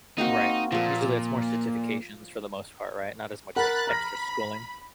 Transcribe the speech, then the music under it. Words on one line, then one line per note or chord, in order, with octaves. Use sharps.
Right, usually, it's more certifications for the most part, right, not as much, like, extra schooling?
A#3 C4 D#4 F#4
A#2 F3 A4
A#4 F#5 B5 F#6 A6
A#5 B5 F6 A#6